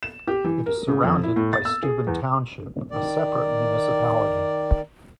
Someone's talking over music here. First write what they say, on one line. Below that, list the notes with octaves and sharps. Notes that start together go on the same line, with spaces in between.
It is surrounded by Steuben Township, a separate municipality.
E7
G4
E3
A#4
C#3
F2
E4
A2
A6
E6
G#4
E2
D#3 D5